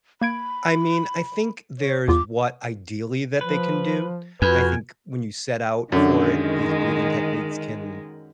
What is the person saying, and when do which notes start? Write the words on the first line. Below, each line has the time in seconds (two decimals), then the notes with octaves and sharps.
I mean, I think there's what ideally that they can do. I think when you set out for it, these breathing techniques can
0.21 A#3 B5 G#6 D7
1.79 C#5
2.08 E2 F4 D6
3.41 F3 B4
4.42 F2 F#4 B4 G#5
5.92 F#2 D3 D#3 G#3